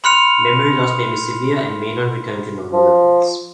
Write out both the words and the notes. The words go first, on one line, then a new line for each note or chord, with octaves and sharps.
Memory loss may be severe and may not return to normal levels.
B5 C6 F6 F#6 C#7 F7
F3